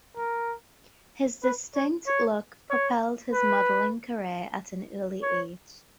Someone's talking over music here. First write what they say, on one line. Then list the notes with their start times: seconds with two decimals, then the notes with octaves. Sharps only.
His distinct look propelled his modeling career at an early age.
0.17 A#4
1.43 B4
1.75 C#5
2.07 C#5
2.70 C#5
3.33 B4
5.22 C#5